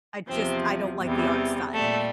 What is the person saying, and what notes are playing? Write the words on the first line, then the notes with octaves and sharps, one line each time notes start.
I just I don't like the art style
E2 C3 F3 C4
E2 C3 E3 G3
A#2 G3 A3